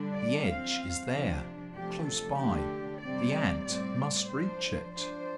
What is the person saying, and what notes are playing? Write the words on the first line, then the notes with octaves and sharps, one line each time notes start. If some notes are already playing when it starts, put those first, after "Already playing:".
The edge is there, close by; the Ant must reach it.
Already playing: D3 G3 D4
D5
F3 C4 F5
C3 F3 D4
C3 F3 A3 D4 G4
A4
D3 A3 D4 G4
C3 G3 C4 D5
A2 G3 C4 D5
F3 D4 C5
F3 D4 C5